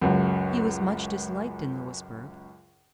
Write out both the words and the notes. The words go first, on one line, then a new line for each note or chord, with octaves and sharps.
He was much disliked in Louisbourg.
C#2 F#2